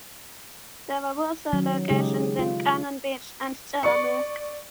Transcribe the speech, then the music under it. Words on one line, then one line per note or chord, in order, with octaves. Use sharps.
There are also locations in Cannon Beach and Tillamook.
D#3 F#3 C#4
C#3 G#3 D#4 G4 G#4
F4
D5 C#6 C#7